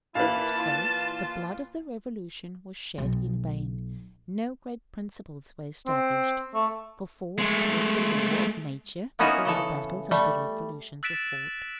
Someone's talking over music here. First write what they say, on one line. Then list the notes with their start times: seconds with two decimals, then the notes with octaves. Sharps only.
If so, the blood of the Revolution was shed in vain; no great principles were established; for force was the law of nature before the battles of the Revolution were fought.
0.15 A#2 E3 E4 B4 F5 A5
0.59 F4
2.98 B1
5.86 C4
6.54 A3
7.38 G#3 A3
9.19 A#3 B3 C#4 D#4 E4 F#4
9.45 C#3 E3 A4
10.11 G3 A3
11.03 E6 F#6 A6 B6 D7 E7